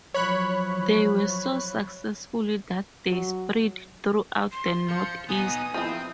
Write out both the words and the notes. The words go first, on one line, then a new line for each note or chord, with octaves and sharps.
They were so successful that they spread throughout the Northeast.
F3 F#3 C#5 B5 F#6
F#3
C6
F3 C#7
B3 D#4 G#5 D#6
F3 C4 E4